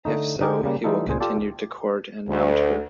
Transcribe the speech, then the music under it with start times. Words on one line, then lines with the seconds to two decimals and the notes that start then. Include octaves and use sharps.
If so, he will continue to court and mount her.
0.05 D3 A3 D#4
0.40 D3 D#4 G4 G#4 A#4
0.63 C#3 G3 A#3
0.84 E3 G3 A3 D#4 F4 A4
1.07 C#2 A#2 G#4 C5 G#5
1.20 F4 G4 A4 D5
2.28 D2